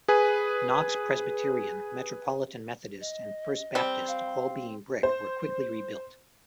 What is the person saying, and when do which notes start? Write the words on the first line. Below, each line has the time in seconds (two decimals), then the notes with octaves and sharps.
Knox Presbyterian, Metropolitan Methodist and First Baptist, all being brick, were quickly rebuilt.
0.08 G#4 B4 G#5
3.01 D#5
3.75 G3 C4
4.08 F5
5.03 C5